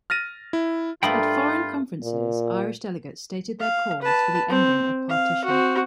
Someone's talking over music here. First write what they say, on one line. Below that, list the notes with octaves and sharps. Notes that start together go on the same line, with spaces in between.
At foreign conferences, Irish delegates stated their cause for the ending of partition.
F6 A6 A#6 D#7
E4
G2 A3 A#3 F4 G5 B5 D#6
A#2
F5
B4 A5
C4
F5
C4 F#4